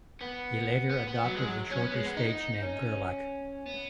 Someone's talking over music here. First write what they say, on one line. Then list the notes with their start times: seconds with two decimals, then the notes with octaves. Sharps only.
He later adopted the shorter stage name Gerlach.
0.21 B3
0.90 B3
1.08 B3
1.25 F#3
1.36 G#3
1.48 F#3
1.71 C#4
1.82 B3
1.94 G#3
2.06 B3
2.17 D#4
2.62 C#4
3.65 B3